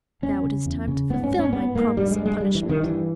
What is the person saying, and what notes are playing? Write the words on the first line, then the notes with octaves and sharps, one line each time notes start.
Now it is time to fulfill my promise of punishment.
E2 C#4
C#3
E2
C#3
G#2 B3
C#4
G#2
C#4
G#2 B3
G#2 A#3
G2 G3
G#3
G2
G#3
G2 G3
E3
G2
D#3
G2 E3